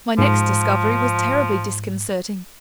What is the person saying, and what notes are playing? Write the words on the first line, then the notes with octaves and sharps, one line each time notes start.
My next discovery was terribly disconcerting.
G#2 F3